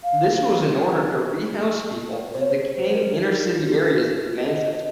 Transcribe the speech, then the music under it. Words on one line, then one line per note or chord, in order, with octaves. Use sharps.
This was in order to rehouse people from decaying inner city areas of Manchester.
F5
C5
C#5
C5
A#4
D#4
F4
A4
F4
D#5